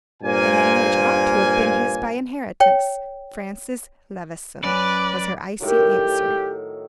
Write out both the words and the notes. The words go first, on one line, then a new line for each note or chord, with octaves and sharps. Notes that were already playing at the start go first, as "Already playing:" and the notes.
"The name which ought to have been his by inheritance--'Francis Levison,'" was her icy answer.
G2 A#2 A#3 C5 G#5
C#5 G5
F#2 C#4 B4 D5 D6
A2 D#3 F#3 G4